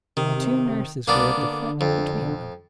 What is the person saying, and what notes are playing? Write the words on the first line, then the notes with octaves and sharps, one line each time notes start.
The two nurses were at the foot between them.
C3 D#3
C2 A#3 B3 D4
D3
F2